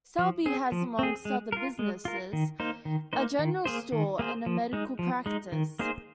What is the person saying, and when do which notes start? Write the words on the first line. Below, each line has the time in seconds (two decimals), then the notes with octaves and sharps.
Selby has, amongst other businesses, a general store and a medical practice.
0.19 F3
0.46 C4 G#4
0.72 F3
0.99 C4 G#4
1.25 G#3
1.52 F4 A#4
1.79 G#3
2.05 F4 A#4
2.33 D#3
2.60 A#3 D#4 C5
2.85 D#3
3.13 A#3 D#4 C5
3.39 D#3
3.65 A#3 G#4 C5
3.92 D#3
4.19 A#3 G#4 C5
4.46 F3
4.73 G#3 D#4
4.99 F3
5.26 G#3 D#4
5.52 D#3
5.79 A#3 D#4 G#4 C5